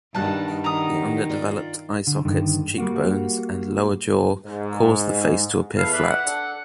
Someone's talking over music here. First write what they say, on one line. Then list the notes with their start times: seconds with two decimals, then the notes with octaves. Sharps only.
The underdeveloped eye sockets, cheekbones, and lower jaw cause the face to appear flat.
0.15 G2 D#3 G3 F#4 D5 A5 F#6
0.64 D#3 A#5 D#6
1.30 F4 D5
2.07 D3
2.25 G2 D3 D#3
2.78 G3 A#3 F#4
4.45 G#2
5.78 E2 A4 B4 F5
5.93 B4 D5 E5
6.10 F#5
6.26 D4 A4